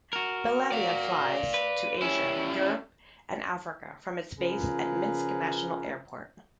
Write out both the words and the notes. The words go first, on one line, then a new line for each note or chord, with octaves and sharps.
Belavia flies to Asia, Europe and Africa from its base at Minsk National Airport.
F#4 A#4
D5 F5
B4
G3 C#4 E4
C#3 F3 F4 G#4 A#4 B4